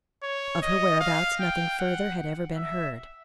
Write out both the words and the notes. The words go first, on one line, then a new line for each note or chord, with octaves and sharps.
Of her whereabouts nothing further had ever been heard.
C#5
D#5
F5
G5
F#5
E5